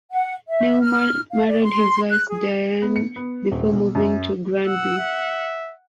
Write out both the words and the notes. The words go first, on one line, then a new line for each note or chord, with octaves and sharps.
Neumann married his wife Diane before moving to Granby.
F#5
E5
F6
F5
D5
C6
F#6
G#4
B3
C#7
B3
D#1
B1
F#2
F#5 E6
E5